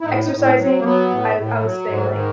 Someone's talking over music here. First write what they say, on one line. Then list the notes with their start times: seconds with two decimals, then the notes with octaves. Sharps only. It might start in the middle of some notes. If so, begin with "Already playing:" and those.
exercising, I I would say, like
0.01 E4
0.05 A2 D#4
0.25 D#4
0.32 A2
0.45 C#4
0.58 F#3
0.65 C4
0.79 A#3
0.84 F#3 B3
1.10 A2
1.37 A2
1.63 F#3
1.88 G#2
2.15 D#3